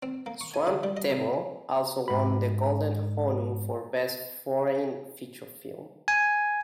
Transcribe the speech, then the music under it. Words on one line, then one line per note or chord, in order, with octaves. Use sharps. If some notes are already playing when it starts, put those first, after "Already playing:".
Swamp Devil also won the Golden Honu for Best Foreign feature film.
C4
A#3
C#6
G#5
D3
G3
D#5
C3
G#2 B5
G#5